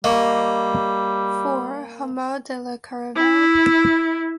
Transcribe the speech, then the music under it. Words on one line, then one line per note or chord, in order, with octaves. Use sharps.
Four, Hameau de la Caravelle.
G3 A#3 D#5 C#6
E4